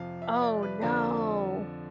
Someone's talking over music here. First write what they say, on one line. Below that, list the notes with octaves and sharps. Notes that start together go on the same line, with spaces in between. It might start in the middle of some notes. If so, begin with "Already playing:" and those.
Oh, no.
Already playing: F2 C3 F3 F5
E5
D5
B4
F2 D3 F3 D5